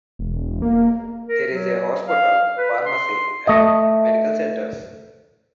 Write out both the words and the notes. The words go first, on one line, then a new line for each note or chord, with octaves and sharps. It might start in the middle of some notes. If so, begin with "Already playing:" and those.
There is a hospital, pharmacy, and medical centres.
E1
A#3
A#4
F#3
F5
B4
C6
A3 D#5